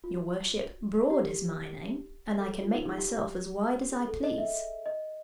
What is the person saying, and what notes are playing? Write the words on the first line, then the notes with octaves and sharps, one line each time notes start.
'Your worship, Broad is my name, and I can make myself as wide as I please.'
F4
F#4
G4
A4
G#4
F4
D#4
G4
G4
G#4
A4
D#5
E5
D#5